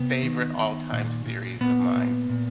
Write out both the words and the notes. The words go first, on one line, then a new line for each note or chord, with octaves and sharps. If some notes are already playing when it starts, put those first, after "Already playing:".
favorite all-time series of mine.
Already playing: C3 B3
D#3
D#3
A#2
A#2
A#2 B3
A#2
A#2